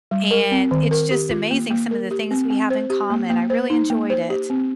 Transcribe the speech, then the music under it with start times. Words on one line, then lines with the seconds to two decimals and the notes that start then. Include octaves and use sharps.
and it's just amazing some of the things we have in common. I really enjoyed it.
0.11 G3
0.31 A#4
0.51 C4
0.71 D#3
0.91 A#4
1.11 G4
1.31 F4
1.51 A#3
1.71 A#3
1.91 A#4
2.11 G4
2.31 C4
2.50 C4
2.70 C5
2.90 G4
3.10 A#3
3.30 A#3
3.50 C5
3.70 D#4
3.90 A#3
4.10 C5
4.30 G4
4.50 C4